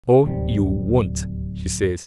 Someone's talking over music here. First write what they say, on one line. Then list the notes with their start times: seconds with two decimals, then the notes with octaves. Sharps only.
"No you won't," she says.
0.24 D1 D#2 C3 G3